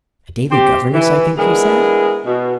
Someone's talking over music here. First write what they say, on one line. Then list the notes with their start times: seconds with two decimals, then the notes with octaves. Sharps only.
"A daily governess, I think you said?"
0.51 C4 G4 C5
0.93 E3
1.38 G#3 B3 D4 E4 G#4 A#4
2.26 B2